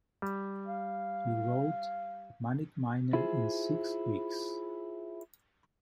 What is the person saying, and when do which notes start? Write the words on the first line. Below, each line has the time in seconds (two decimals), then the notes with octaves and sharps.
He wrote "Manic Miner" in six weeks.
0.22 G3
0.66 F5
3.13 E4 F4 G#4 C5